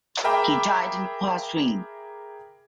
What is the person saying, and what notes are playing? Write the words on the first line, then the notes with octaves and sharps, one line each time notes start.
He died in Qazwin.
G#4 A#4 E5 G5 B5 D6